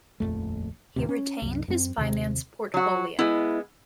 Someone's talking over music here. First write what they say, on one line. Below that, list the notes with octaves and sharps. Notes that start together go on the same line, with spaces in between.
He retained his finance portfolio.
D#1 A#1 F2 A3
F1 D#2 A2 C3
C#4
C2 F#2
F#2 A#3 C4
D#2 C3
F#3 F#4
G#3 B3 E4